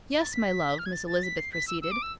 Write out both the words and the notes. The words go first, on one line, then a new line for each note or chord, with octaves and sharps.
"Yes, my love!" Miss Elizabeth proceeded.
A6
B6
F6
G#6
A6
A6
B6
C7
B6
E6
E6
D6
E6